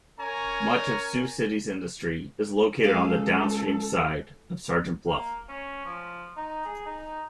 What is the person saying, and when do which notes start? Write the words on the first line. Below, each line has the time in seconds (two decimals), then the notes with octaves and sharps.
Much of Sioux City's industry is located on the downstream side of Sergeant Bluff.
0.18 C#4 A#4 C#5 G#5 A#5
2.84 C#2 G#4 A4 F5
5.07 A#3
5.48 C#4
5.86 F3
6.37 D#4
6.65 G#4
6.86 D#4